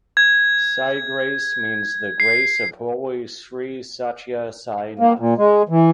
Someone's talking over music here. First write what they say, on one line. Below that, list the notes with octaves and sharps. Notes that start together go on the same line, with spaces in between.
Saigrace means ""The grace of holy Sri Satya Sai Nath"".
G#6
C7
A#3
A#2
G#3
E3